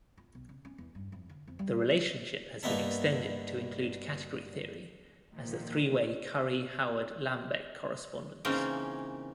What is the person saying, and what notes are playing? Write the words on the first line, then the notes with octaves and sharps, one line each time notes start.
The relationship has been extended to include category theory as the three-way Curry-Howard-Lambek correspondence.
F4
B1
C#3
C#4
E2
G2
F2
D3
F2
G3
G2 A#3 B3 D#4 E5 A5
A#2 D#3 F3
C#3 E3 A#3 C4 C#4 D#4